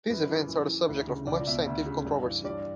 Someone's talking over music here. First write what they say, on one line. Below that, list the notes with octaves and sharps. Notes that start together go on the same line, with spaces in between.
These events are the subject of much scientific controversy.
F#2 B4
E3
F#2
E3
D2
C#3
C#2 D5
B2 E5
D2
C#3
G2
E3
G2 D5